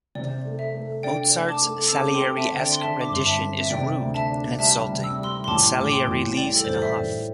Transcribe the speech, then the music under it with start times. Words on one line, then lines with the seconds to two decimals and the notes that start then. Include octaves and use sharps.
Mozart's Salieriesque rendition is rude and insulting, and Salieri leaves in a huff.
0.15 C3 D5
0.45 A3
0.59 E5
0.74 A3
1.03 D4 D5 G5
1.33 A3
1.49 A5 D6
1.63 A3
1.88 E6
1.92 C4 A5 D6
2.07 D6
2.14 G5 C6
2.22 C4
2.37 E5 A5
2.52 D3
2.60 D5 G5
2.72 C6
2.81 D3 E5 A5
3.01 D6
3.11 G1 C6
3.26 E5 A5
3.41 C4
3.60 E5
3.70 C3 D5 G5
4.00 D2
4.14 E5 A5
4.30 D4
4.59 G3 E5 A5
4.89 C3
5.04 E6
5.18 G3
5.23 C6 E6
5.44 C6
5.48 A1 A5 D6
5.78 A2 D6
5.92 G5 C6
6.08 A1
6.37 G3 D5 G5
6.55 A4
6.64 A1 C5
6.73 D5
6.82 E5
6.96 A1